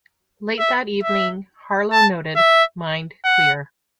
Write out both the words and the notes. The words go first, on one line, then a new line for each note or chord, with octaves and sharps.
Late that evening Harlow noted: Mind clear.
E5
E5
A5
E5
F#5